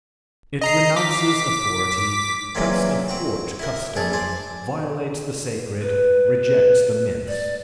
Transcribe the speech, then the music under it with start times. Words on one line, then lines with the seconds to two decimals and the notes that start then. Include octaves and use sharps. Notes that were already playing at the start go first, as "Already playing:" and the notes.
It renounces authority, cuts athwart custom, violates the sacred, rejects the myths.
0.61 D#5 A#5 C7
0.96 D6 B6
2.55 A#2 C#3 E3 F#3 A#3 C4
3.08 C4 F#4 G5
3.59 E4 A#4
3.96 A#1 A#2 G#4 A4
4.13 C5 D5 G#5
5.82 B4
7.28 D5